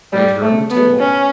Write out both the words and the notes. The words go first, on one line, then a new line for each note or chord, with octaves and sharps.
Right here on the table.
G3
A3
B3
C#4